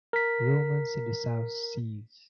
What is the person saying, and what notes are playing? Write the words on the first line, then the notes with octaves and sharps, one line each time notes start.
Romance in the South Seas!
A#4 B6